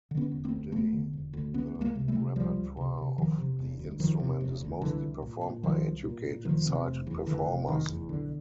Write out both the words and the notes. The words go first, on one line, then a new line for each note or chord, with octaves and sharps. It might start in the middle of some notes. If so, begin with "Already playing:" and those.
Today, the repertoire of the instrument is mostly performed by educated, sighted performers.
D3
B3 C#4
E1
A#3 C4
D2
E1 A3 B3
D3
E1
D2
C#2 B3 C#4
C#2
G#3 A#3
C3
G3 A3
C3
C#2 F3 G3
C#2
C3
C3
E1 D#3 F3
C3
E1
D2
E1 D#3 F3
C3
E1
D2
C2 D3 E3
C2
A#2
A#2
C2 D#3 F3
C2
A#2
A#2
F1 D#3 F3
C3
F1
E2
F1 D3 E3
C3
F1 D#3
E2
B1 D3